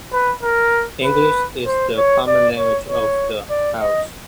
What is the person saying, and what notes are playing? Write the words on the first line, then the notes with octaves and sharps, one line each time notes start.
English is the common language of the house.
B4
A#4
B4
C5
C#5
D5
C#5
C#5
D5
D#5